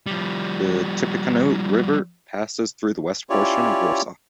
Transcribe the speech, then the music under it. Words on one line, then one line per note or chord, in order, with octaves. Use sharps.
The Tippecanoe River passes through the West portion of Warsaw.
F3 G3
C#4 E4 F4 G4 C#5 D5